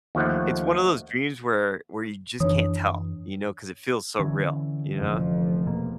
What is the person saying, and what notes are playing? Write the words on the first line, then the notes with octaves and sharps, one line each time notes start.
it's one of those dreams where where you just can't tell, you know, 'cause it feels so real. You know?
D#2 F3 A3 F#5
F#2 E3 C4 D4 C#5 D#6
D3 E3 C#4
F1 F2 F3
E2 B2 A#3